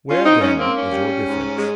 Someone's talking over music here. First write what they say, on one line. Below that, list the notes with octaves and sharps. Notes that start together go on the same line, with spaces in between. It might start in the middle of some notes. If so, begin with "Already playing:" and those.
Where, then, is your difference?
C#4 F4
G#2 C4 D#4
C#4
A#3 C4
C#4
G3
G#2
G#3